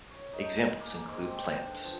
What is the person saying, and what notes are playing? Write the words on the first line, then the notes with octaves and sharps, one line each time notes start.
Examples include plants.
C#5
D#4
A3
G#5
A#3
A#3
G#2
C4
G5
B4
D3
F3